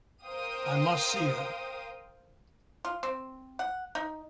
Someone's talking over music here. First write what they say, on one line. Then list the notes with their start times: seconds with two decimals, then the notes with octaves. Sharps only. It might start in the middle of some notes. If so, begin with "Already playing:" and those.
I must see her.
0.25 A#4 C5 F5 G5 D#6
2.85 F4
3.03 C4
3.59 F#5
3.95 D#4